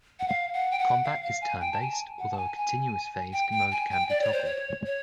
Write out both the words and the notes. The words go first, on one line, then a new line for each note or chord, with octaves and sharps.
Combat is turn-based, although a continuous-phase mode can be toggled.
F#5
F5
F#5
G5
F#5
F5
F5
G#5
G5
A5
G#5
F#5
A5
G#5
G#5
G5
G5
G#5
G5
D5
C#5
C5
C#5
C#5